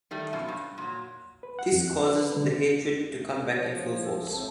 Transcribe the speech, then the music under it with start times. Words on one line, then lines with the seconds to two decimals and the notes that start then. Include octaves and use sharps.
This causes the hatred to come back in full force.
0.11 D#3 G3 A3
0.33 F#2 B2 F3
0.48 G2
0.78 A#2 F#3
1.43 B4
1.59 F#5
1.72 F2
1.88 F#6
2.06 D4
2.20 B4
2.37 D3
3.54 F3 C#5
4.01 A4
4.33 A2 C4 A5